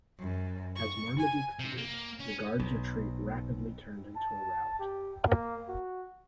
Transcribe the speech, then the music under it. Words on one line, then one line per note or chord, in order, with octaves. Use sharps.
As Marmaduke feared, the Guard's retreat rapidly turned into a rout.
F#2
C#6
G#5
C3
A#3
C#4
B1
A5
G4
A#3
F#4